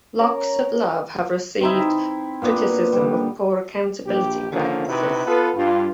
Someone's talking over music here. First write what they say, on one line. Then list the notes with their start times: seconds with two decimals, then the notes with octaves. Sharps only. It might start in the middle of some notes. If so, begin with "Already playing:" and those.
Locks of Love has received criticism of poor accountability practices.
0.19 C#4 A#4
1.61 C4 D#4 E4
1.79 E4
2.42 A#2 B3 D4
2.93 D3 G3
4.05 A#1 G4
4.51 D3 D#3 F3 A#3 C#4
4.88 C3 D#4 E4 F#4 B4
5.26 B3 F4 A4 B4
5.56 G2 F4